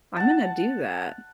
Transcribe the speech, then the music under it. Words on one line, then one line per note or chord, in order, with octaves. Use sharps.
I'm gonna do that.
F#5 A5